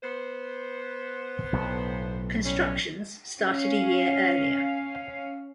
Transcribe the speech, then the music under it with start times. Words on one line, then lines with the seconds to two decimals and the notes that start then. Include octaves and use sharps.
Constructions started a year earlier.
0.03 B3 C5
1.53 B1 A2
2.45 G3 C#4
3.40 C#4 F5